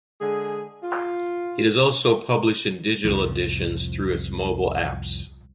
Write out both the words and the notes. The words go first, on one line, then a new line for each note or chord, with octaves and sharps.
It is also published in digital editions through its mobile apps.
D3 G#3 G#4
F4
C2 F2 A2 F3